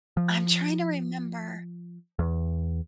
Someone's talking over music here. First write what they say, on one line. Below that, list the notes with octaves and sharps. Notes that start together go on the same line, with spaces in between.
I'm trying to remember.
F3
E2